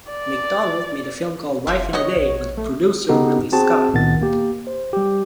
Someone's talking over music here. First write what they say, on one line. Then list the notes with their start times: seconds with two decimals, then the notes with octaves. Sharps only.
Macdonald made a film called "Life in a Day" with producer Ridley Scott.
0.11 D5
1.67 F#1 D3 F4 E5
1.93 D3 B3 F#4 C#5 D#5
2.17 A#1
2.57 A3
3.09 C#3 B3 D#4 F#4 G4 A4
3.52 C4 F#4 G#4 A5
3.93 C#2 A#2 D#3 B3 F#5 A6
4.22 A#3 G4
4.67 C5
4.93 G3 G4